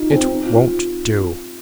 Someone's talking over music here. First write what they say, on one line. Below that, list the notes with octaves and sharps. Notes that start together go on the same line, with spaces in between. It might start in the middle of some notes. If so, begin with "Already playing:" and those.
It won't do.
Already playing: D#4 F4
C4
D#4
F4